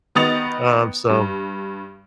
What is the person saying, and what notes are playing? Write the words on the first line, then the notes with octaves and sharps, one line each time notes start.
um, so
D#3 B3 D#5 D#6 A6 F7
G2